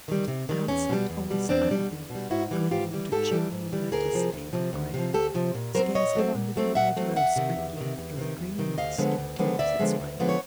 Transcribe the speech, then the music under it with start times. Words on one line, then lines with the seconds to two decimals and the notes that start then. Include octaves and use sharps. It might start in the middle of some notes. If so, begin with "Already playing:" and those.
And outside all is ivy, clinging To chimney, lattice, gable grey; Scarcely one little red rose springing Through the green moss can force its way.
0.08 D#3 G3
0.28 C3
0.49 D#3 G3
0.68 E2 C#4
0.89 B2 G3
1.10 E2
1.30 B2 G3
1.49 E2 C4 D4
1.70 B2 G3
1.90 E2
2.10 B2
2.15 G3
2.30 G#2 E4 F#4
2.51 E3 G3
2.71 G#2 F4 G4
2.91 E3 G3
3.12 G#2 G4 A4
3.31 E3 G3
3.52 G#2
3.73 E3 G3
3.92 D2 G#4 A#4
4.13 C3 F3
4.32 D2
4.53 C3 F3
4.73 D2
4.94 C3 F3
5.13 D2 G4 A4
5.34 C3 F3
5.54 A#2
5.75 F#3 A3 C4 A#4 C5
5.95 A#2 C#5 D#5
6.15 F#3 A3 C4
6.35 A#2
6.56 F#3 A3 C4
6.75 A#2 E5 F#5
6.96 F#3 A3 C4
7.16 E2 E5 F#5
7.36 C3 D#3
7.56 E2
7.77 C3 D#3
7.98 E2
8.17 C3 D#3
8.38 E2
8.58 C3 D#3
8.78 D2 D#5 F5
8.98 D3 F3 G#3 B3
9.18 D2
9.39 D3 F3 G#3 B3
9.59 D2 D5 E5
9.79 D3 F3 G#3 B3
10.00 D2
10.20 D3 F3 G#3 B3
10.29 C#5